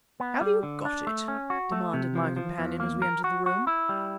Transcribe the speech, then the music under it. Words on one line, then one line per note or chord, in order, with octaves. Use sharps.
"Have you got it?" demanded my companion as we entered the room.
B3
G3
D3
D4
A3
C#4
F#4
A3
C3
F3
F3
E2
A#3
A#4
F#4
F#4
E4
G3